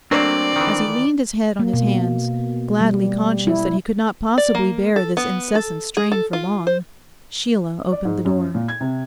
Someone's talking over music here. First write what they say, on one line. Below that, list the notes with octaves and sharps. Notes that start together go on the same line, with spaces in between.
As he leaned his head on his hands, gladly conscious that he could not possibly bear this incessant strain for long, Sheila opened the door.
F#3 A3 A#3 C4 D4 D5
D#3 E3
A#3
B2
G3
E4
D5
A#3
A4
B3
A4
G#4
A4
F4
C5
D5
G#2
F#2
A#2
G#6
C3